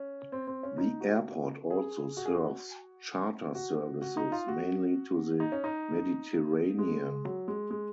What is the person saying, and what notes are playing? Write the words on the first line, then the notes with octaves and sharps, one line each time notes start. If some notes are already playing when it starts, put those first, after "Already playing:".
The airport also serves charter services, mainly to the Mediterranean.
Already playing: C#4
C4
C4
C#4
D#4
F#4
G#4
F#4
G#4
F#4
F#4
F#4
D#4
F4
F#4
D#4
C#4
D#4
G#3
F#3
G#3
G#3